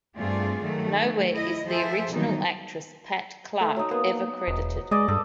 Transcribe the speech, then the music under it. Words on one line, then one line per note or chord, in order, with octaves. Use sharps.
Nowhere is the original actress, Pat Clark, ever credited.
G2 A3 C4 F4 G#4 D5
D#3 F#3 A3
E4 D#5
F3 G#4 A4 C5 E5
B2 D#3 E3 F#3 G3 D#4
A3
F#3 D#4
A#3 B3
E1
G#3 D5 D#5
G2 A4